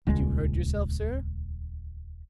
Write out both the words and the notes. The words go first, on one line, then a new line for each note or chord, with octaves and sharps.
"Did you hurt yourself, sir?"
D#1 C#2 G#3